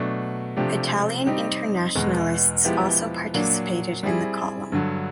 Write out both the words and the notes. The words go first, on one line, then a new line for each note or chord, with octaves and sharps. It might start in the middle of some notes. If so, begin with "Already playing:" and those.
Italian internationalists also participated in the column.
Already playing: B2 F#3 A3 D4
C3 F3 A3 D4 G4
G3 C4 D#4 G4
E2 B2 G#3 B3
F3 G#3 B3 E4 G4
A#2 F#3 A#3 D4
G3 C4 E4 G#4
G2 D3 F#3